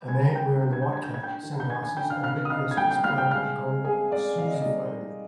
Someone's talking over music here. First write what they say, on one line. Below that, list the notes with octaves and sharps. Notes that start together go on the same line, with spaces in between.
A man wearing a white cap, sunglasses, and red vest is playing a gold sousaphone.
G3 G#5 G#6
A#3 G5 G6
D4 G6
G#6
G6
D4 G#6
G6
D4 G#6
G5 G6
D#3
G6
D#3 G#5 G#6
G#5 G#6
D4 G5 G6
F5 F6
C4 F5 F6
D#6
D#4 F5 F6
G#6
G3 G5 G6
G5 G6
G3 F5 F6
G5 G6
G#3 F5 F6
C4
C4 G#4 G#5
G#3 D5
C4 F5
D#5
D5
G3 D#4 D#5
C4